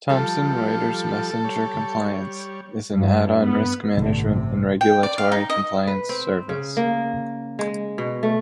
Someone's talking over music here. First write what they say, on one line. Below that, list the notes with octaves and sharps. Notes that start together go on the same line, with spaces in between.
Thomson Reuters Messenger Compliance is an add-on risk management and regulatory compliance service.
F3 G3 A4
G3 C#5
G2
B3
A1 G2 B2 D3 A3
C3
G5
D5
F5
D#4
D#5
B4
C4
C#3
A#3
G#3
B2
A3